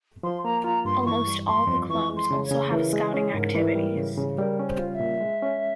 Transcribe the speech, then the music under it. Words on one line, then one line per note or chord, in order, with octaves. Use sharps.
Almost all the clubs also have scouting activities.
F3 C6
A#3 A#5
F4 A#5
G2 C6
C6
E3 C#6
G3
F2 C6
F2
E3 C#6
G#3
C6
C#3
C#5
C#3
E3 A#4
G#3 G#4
C#4 G#4
G#2 A#4
E3
G3
C#3
C#3
G3 A#4
C#4
C5
F4
E5
A#2
G#3
C#4